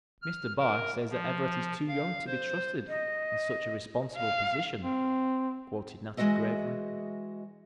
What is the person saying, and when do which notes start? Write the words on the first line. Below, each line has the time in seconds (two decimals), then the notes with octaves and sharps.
"Mr. Barr says that Everett is too young to be trusted in such a responsible position," quoted Natty gravely.
0.22 F6
0.59 A#4
1.10 F3
1.88 F5
2.27 C5
2.88 D#5
4.17 F5
4.83 C4
6.17 E3 G#3 A3 F#4 D#5 E5